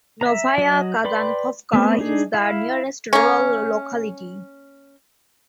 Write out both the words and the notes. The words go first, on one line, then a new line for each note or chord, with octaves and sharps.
Novaya Kazankovka is the nearest rural locality.
E5 A#5
F#3 D#5
B4 D5 G5 B5 C6
A3 B3 C4
D4 D#4 G#4
E4 F5
A#3 C#4